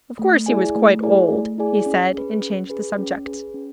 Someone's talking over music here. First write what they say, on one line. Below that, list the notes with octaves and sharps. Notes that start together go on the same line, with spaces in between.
"Of course he was quite old," he said, and changed the subject.
A3
E4 G#4 D5 G#5
A3
E4 G#4 D5 G#5
A3
E4 G#4 D5 G#5
C#4
G#4 B4
C#4
G#4 B4
C#4
G#4 B4
C#4